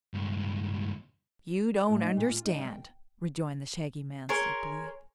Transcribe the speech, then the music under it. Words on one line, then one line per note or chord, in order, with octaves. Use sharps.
"You don't understand," rejoined the Shaggy Man, sleepily.
C#2 G2
A2
D#4
A#2
F4
D#4
G3
G5
G#4 A#4 C#5 C6